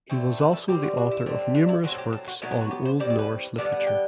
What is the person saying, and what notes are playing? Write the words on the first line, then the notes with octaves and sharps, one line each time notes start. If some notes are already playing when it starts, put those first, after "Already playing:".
He was also the author of numerous works on Old Norse literature.
D3 A3 C4
B4
A4
D3 G3 C4 G4
F#4
F#4
E4
D3 G3 C4
D4
E4
A2 F#3 C4 F#4
A4
G4
A4
F#4
B2 F#3 B3 E4
G4
F#4
G4
C5
A2 G3 C4 D5
D5
B4
D3 G3 B3 D5
F#5
G5